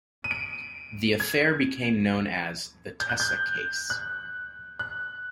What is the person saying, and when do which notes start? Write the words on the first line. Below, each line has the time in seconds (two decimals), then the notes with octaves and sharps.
The affair became known as the "Tessa-case".
0.24 D#7
0.31 D7
1.20 G#6
3.00 G6
3.09 F#6
3.20 G6
3.90 F#6
4.79 F#6